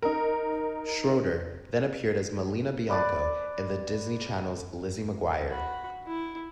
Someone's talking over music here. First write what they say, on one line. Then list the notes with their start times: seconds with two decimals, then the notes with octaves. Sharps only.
Schroeder then appeared as Melina Bianco in The Disney Channel's "Lizzie McGuire".
0.02 D#4 A#4
2.89 B4 D5 A5
5.47 F#4 B5
6.07 E4